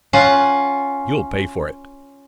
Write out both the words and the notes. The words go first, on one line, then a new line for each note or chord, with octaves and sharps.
"You'll pay for it!"
C#4 F4 F5 F#5 G#5